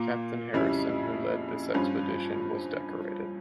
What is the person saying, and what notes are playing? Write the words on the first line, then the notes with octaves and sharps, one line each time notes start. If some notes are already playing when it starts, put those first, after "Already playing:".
Captain Harrison who led this expedition was decorated.
Already playing: A#2 A#3 F4
F2 C#3 G3 C#4 E4
G2 F3 C#4 F4